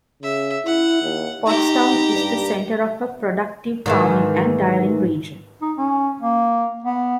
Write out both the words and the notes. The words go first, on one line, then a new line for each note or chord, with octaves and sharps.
Pottstown is the center of a productive farming and dairying region.
C#3 E5
E4 F#5
D#2
D#4 G4 A#5
G2
G#2 D#3 E3
D#4
C#4
A#3
B3